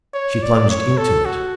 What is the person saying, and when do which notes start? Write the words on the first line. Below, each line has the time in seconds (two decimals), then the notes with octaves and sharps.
She plunged into it.
0.14 C#5
0.42 D5
0.70 C#5
0.97 A4
1.25 F#4